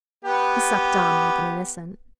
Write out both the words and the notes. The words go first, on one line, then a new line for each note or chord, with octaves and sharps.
He sucked on like an innocent.
B3 G4